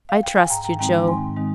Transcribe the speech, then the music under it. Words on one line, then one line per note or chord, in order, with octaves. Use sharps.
'I trust you, Jo.
F5
G5
G#5
G#2 G5 A#5
G5 A#5
D#3 G#3 C4 D#4 G5 A#5
G#2 G#5 C6
D#3 G#3 C4 D#4